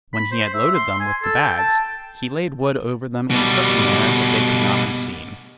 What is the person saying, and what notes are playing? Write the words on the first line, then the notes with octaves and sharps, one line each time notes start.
When he had loaded them with the bags, he laid wood over them in such a manner that they could not be seen.
B5
C5
E5
C6
G#5
A4
G5
A5
B2 G3